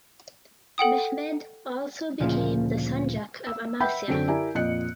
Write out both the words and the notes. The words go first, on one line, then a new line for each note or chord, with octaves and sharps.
Mehmed also became the sanjak of Amasya.
A4 F#5 G5 D#6
D2 A#2 C#3 F3
E6
B4 E5 F#5 G5 B5 G6
F#2 D3 C4 A4 D7
E4 G4 A#4 D5 G#5 A#5
F2 A#2 D#5 F#6 C#7